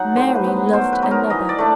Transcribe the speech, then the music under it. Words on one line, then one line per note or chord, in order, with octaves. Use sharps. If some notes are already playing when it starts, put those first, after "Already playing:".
Mary loved another!
Already playing: F#3 D#4 F#5
A2 C5
B4
F#3 B3
B2 C5
B4
F#3 B3 D#4
A#4
E3 D#5
D5
A3 D4